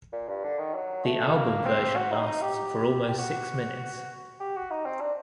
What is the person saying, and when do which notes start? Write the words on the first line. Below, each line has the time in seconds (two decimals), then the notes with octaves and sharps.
The album version lasts for almost six minutes.
0.12 A#2
0.28 G2
0.44 D3
0.58 D#3
0.74 F#3
1.05 A3
1.35 A#3
1.66 C4
1.96 F#4
2.11 D#4
2.26 D#4
2.41 G4
3.08 G4
3.18 F#4
4.40 G4
4.56 F#4
4.70 D#4
4.85 C4
5.01 D4